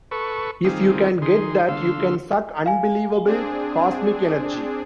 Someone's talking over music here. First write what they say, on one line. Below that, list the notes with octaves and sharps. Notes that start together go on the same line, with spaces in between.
If you can get that you can suck unbelievable cosmic energy.
A4 B4 C#6
D#3 G3 C4 F4 G#4
D#3 G#4 C6
D3 F5 C6 E6
F5 G#5
C4 D4 G#4